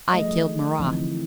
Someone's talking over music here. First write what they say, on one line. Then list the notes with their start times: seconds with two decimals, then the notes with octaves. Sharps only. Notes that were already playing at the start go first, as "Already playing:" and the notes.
"I killed Marat!"
0.13 F3 G3 A3 G#4 D#5
0.80 D3 E3 F3 C4 D#4 E4